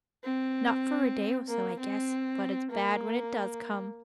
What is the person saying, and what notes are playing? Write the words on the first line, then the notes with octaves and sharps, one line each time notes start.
"Not for a day or so, I guess; but it's bad when it does come."
C4
A#3
C4
A#3